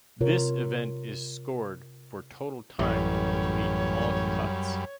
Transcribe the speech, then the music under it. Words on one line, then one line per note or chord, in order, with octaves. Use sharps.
This event is scored for total time to complete all cuts.
C3 F4 A#4 C#5
A1 F#2 G3 C#5